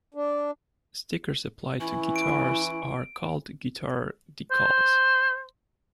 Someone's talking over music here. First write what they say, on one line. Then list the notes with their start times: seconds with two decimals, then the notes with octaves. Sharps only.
Stickers applied to guitars are called guitar decals.
0.14 D4
1.80 E3 C#4 E4
2.16 D7
4.51 C5